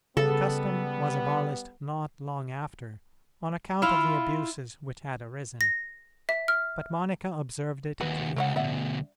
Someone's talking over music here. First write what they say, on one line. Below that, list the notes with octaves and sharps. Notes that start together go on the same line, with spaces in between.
The custom was abolished not long after on account of the abuses which had arisen, but Monica observed it to the end.
C#3 G3 B3 A4
E4 F4
A#6
E5
F6
D#2 F#4 B4
C#2 A#4 C#5 F#5
D2 B2 D5 E5 F#5